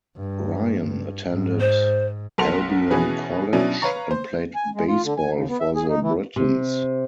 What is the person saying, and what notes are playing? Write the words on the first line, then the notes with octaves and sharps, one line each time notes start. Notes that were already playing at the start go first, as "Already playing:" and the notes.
Ryan attended Albion College, and played baseball for the Britons.
G2
G2
G#2
C5
B1 A4 A#4 F#5 C6 F7
B2 E3 C#4 F#4 G#4 B4
B2 F#3 C#4 D4 E4
B4 C#5 F5 A#5 C#6
C5
G#5
G#3
F4
D3
G#5
D#2
B3
E5
G#4
D#4
E3
C3